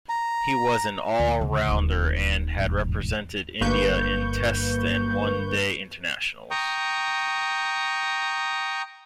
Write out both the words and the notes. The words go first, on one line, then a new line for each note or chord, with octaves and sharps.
He was an all-rounder and had represented India in Tests and One Day Internationals.
A#5
D2
E2 C#3
D#1 D#2
E1 A1 G#2
G1 G2 A#3 B4 C#6 G6
G5 A#5 C#6 D#6